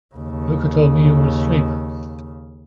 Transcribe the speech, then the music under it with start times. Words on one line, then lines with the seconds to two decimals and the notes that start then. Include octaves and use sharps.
Louka told me you were asleep.
0.15 D#2 C#3